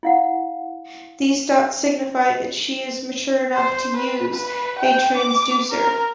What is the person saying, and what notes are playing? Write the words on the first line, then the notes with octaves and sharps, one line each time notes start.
These dots signify that she is mature enough to use a Transducer.
E4 F5 F#5
C5
B4
B4
G5
D6
A#4